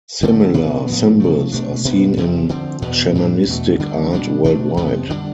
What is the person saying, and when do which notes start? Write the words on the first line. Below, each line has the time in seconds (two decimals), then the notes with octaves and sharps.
Similar symbols are seen in shamanistic art worldwide.
0.21 G2 D3 A3
0.54 B2 B3 D4
0.87 A2 F3 B3
1.20 C3 F3 A3
1.52 B2 A3 D4
1.85 B2 B3 D4
2.17 F2 C3 F3
2.49 D3 F3 C4
2.82 E2 B2 B3
3.15 A2 G3 D4
3.47 E2 B2 A3
3.80 D3 G3 D4
4.13 B2 G3 D4
4.44 B2 A3 D4
4.77 F2 C3 F3 B3
5.10 D3 G3 D4